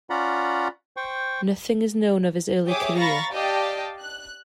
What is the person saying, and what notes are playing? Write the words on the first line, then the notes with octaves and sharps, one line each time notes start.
Nothing is known of his early career.
C#4 F4 D5 F#5 A#5 B5
C5 G5 C#6
G4 G#4 C#5 E5 D6 D#6
F5 A#5 B5 C#6 A6 A#6
G4 D5 D#5 F5 G5 A5
F#6